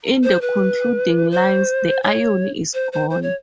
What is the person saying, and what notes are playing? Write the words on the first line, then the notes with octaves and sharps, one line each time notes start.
In the concluding lines the irony is gone.
C5
B4
C5
C#5
C5
C5
C5
C#5